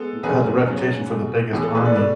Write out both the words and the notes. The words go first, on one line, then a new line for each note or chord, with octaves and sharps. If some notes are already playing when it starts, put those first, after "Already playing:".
had the reputation for the biggest army.
Already playing: G#3 B3 A4
E2 C#3 F#3 A3 G#4 B4
C#3 F#3 B3
B2 A3
A2 E3 B3 G#4
A4
G#4 B4
B4 D5
B2 A3 B4 D5